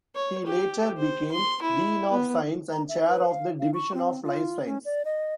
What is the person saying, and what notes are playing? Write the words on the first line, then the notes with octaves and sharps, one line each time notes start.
He later became Dean of Science and Chair of the Division of Life Sciences.
C#5
G4
C5
C6
E4
B3
A#5
E5
B4
F5
F5
C#6
C4
F4
C#4
D5
D#5